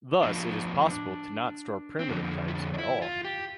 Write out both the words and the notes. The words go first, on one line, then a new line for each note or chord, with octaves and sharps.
Thus, it is possible to not store primitive types at all.
A2 F3 D4
C4
F2 D3 F3 D4
E4
D4
D4
E4
F4
G4